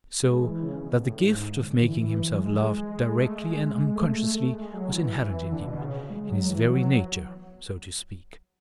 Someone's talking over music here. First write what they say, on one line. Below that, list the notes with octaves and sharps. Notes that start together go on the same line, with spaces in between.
So that the gift of making himself loved directly and unconsciously was inherent in him, in his very nature, so to speak.
G#3
E3
C#3
B2
A2
G#2
D3
E3
E3
E3
F#3
G#3
A3
G#3
G#3
G#3
A3
A3
A3
G#3
F#3
E3
D3
B2
C#3
G#3
F#3
E3
F#3